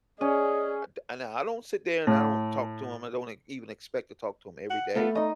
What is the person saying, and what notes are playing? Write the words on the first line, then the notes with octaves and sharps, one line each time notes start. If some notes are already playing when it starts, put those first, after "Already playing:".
uh, d and I don't sit there, and I don't talk to 'em, I don't e even expect to talk to 'em every day
C#4 G#4 D5 D#5 D#7
A2
F#5
A3 B3 F4 A4
D#4 D#5 C#6